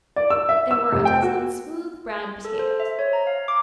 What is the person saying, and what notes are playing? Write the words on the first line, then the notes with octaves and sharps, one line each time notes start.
There were a dozen smooth, brown potatoes.
D5
E6
E5
E6
F1
G5
F#4
A4
C5
E5
C#5
A#5
F5
D6